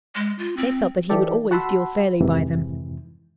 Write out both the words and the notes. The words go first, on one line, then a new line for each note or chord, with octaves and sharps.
They felt that he would always deal fairly by them.
G#3
F4
C4
E3 D#4 G4 A4 D5
F#4 F#5 A5 B5 C6 E6
F2 G#2 C3 D#3 E3